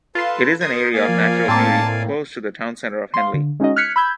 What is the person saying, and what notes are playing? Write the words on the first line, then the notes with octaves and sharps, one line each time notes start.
It is an area of natural beauty close to the town centre of Henley.
F4 A4 B4 A5 C6
A#4 A#5 C6 D#6 G#6
A#3 D5 F5 G#5
F3
A2 A#3 C4 A5
F5 C6
D3
G#3 C#4 D#4 F#4 D#5
F6 F#6 G#6 B6 C#7
B5 E6 G6 G#6